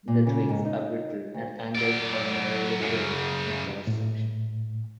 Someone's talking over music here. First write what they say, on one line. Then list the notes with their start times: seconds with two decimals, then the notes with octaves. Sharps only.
The twigs are brittle, and angled or narrowly winged in cross-section.
0.08 A#2
0.27 C#3
0.49 G#2
0.65 D#4
1.34 D2
1.75 F#3 D5
2.81 F#2 C#3
3.87 A2